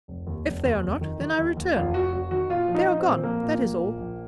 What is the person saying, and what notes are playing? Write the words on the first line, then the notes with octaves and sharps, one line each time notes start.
If they are not, then I return. They are gone, that is all.
F1
D#2
F1
D#2
F1
D#3
D#3
D#2
D#2
F1 F4
F1 F#4
F1 F#4
D#3 F#4
A#2 F4
F3
D#4
F3
C4
A#2
F3 A#3
A#2
A#1
A#2
A#1